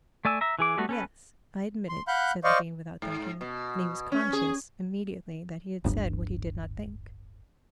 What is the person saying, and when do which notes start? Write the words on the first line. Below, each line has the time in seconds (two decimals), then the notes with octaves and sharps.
"Yes, I admit it," said Levin without thinking, and he was conscious immediately that he had said what he did not think.
0.25 A3 D5 G#5 E6
0.41 E5 A#5
0.59 E3 G#4 D6
0.77 G3 A3 B3 F#4 A4
0.89 C#4 A4 B4
1.89 C6
2.08 F5 F#5 B5 F#6 G6
2.44 C5 D5 D#5 F5 C#6
3.02 G#2
3.41 B2
4.12 C#4
4.33 G#4
5.84 D1 G1